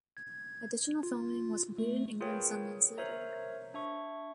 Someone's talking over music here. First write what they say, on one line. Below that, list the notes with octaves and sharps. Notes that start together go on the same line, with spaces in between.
Additional filming was completed in England some months later.
G#6
F4
A3
F4 G#4 A#4 B4 C#5 G5
A#4 C5 C#5 E5 A#5
D4 E5 C#6